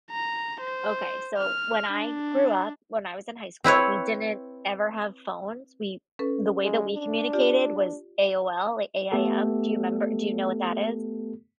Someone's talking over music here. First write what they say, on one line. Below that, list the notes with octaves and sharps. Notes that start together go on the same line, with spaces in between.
Okay, so, when I grew up, when I was in high school, we didn't ever have phones. We the way that we communicated was AOL like AIM. Do you 'member do you know what that is?
A#5
C5
F6
D4
C4 E4 B4 C#5
C#4 A4 B4
G#3
D4
F4 G4 D5
A3 B3 G4 A4